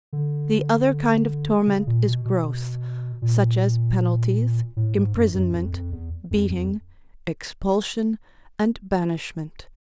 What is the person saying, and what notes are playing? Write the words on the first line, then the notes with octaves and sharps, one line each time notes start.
The other kind of torment is gross--such as penalties, imprisonment, beating, expulsion and banishment.
D3
C#3
A#2
B2
B2
A#2
A2
G#2
F#2
F#2
F2
F2
E2
F2
F2